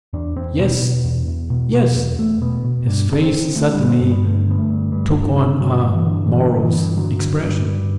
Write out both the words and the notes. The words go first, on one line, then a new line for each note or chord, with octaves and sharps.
"Yes... yes..." His face suddenly took on a morose expression.
E2 D4
E2 C4
B2 B3
B2
E2
E2
B2
B2
E2
E2 A3
B2 B3
B2
G2 D4
G2
D4
C4
D3
D3 A3
G3
G2
C4
G2
B3
D3 A3
D3 B3
A3
G2
G2
D3
D3
G2 F#3
G2
E3
D3
D3 E3
G2
E3
G2
D3 F#3
D3
G2
G2